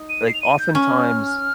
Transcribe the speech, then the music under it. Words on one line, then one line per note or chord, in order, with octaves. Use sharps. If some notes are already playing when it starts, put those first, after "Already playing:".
like, oftentimes,
Already playing: D#4
D#7
C7
F7
D#7
G6
C#4 F6